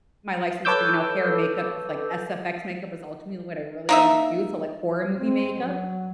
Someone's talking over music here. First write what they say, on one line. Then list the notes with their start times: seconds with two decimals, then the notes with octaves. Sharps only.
my license for, you know, hair and makeup 'cause, like, SFX makeup is ultimately what I really wanna do, so, like horror movie makeup.
0.65 A4 B4 C#5 D6 E6 G6
3.89 A#3 D#4 E5
5.17 C4
5.61 F#3